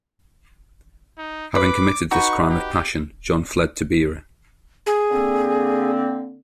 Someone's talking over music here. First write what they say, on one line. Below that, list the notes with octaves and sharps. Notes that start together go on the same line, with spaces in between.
Having committed this crime of passion, John fled to Beira.
D#4
B4 D6
D#4 F#4 B4 C#6
G4
G#4
D3 A#3 C4